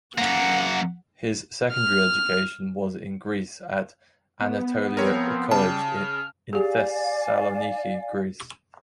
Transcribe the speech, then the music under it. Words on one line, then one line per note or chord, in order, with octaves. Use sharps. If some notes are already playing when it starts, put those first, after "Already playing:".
His secondary education was in Greece at Anatolia College in Thessaloniki, Greece.
F#2 A#3 F#5
F6
B3
F3 C4 A#4 C#5
C#3 G3 A5
F6
G4 G#4 D5 F5 G#5